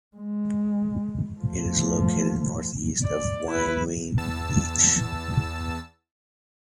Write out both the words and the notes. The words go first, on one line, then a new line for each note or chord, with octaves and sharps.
It is located north east of Wainui Beach.
G#3
F3 A3
D5
E4 B4
E2 A5 E6